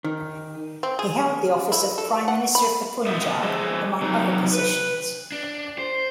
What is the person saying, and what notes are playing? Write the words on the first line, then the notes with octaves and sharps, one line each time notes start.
He held the office of Prime Minister of the Punjab among other positions.
D#3
C4
G#4
E4
A4
F#5
B5
B2 D#5 E5
F3 G#3 G#4 D#5 E5
C3 E3 F#3 D#4 G#5 A#5
B4
D4
C5